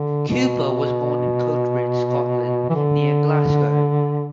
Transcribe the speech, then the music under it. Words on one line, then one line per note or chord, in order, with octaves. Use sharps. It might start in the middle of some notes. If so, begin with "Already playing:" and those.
Cooper was born in Coatbridge, Scotland, near Glasgow.
Already playing: D3
B2
E3
D3